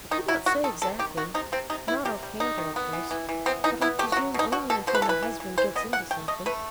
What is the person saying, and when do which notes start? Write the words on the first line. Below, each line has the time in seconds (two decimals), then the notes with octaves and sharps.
"I could not say exactly--not off-hand like this--but I presume only until my husband gets into something."
0.11 D#3 D#4
0.28 F#3 E4
0.46 D#3 F#4
0.64 D#3 A4
0.82 C3 A4
0.99 D#3 G4
1.17 D#3 F#4
1.34 C3 D#4
1.52 C3 C4
1.70 C3 D#4
1.87 D#3 E4
2.05 C3 G4
2.23 G3
2.40 G3 D#4
2.58 D#3
2.76 B3
2.93 E3
3.11 E3
3.29 E3
3.46 B3 C4
3.64 E3 D#4
3.81 B3 E4
3.99 A3 G4
4.12 F#4
4.17 F#3
4.34 B2 D#4
4.52 B2 F#4
4.70 B2 A4
4.87 B2 C5
4.95 B4
5.02 A4
5.06 E3 B4
5.23 E3
5.40 E3
5.58 E3 C5
5.76 B3 D#5
5.93 E3 F#5
6.11 A3 G5
6.28 A3 D#5
6.46 A3 B4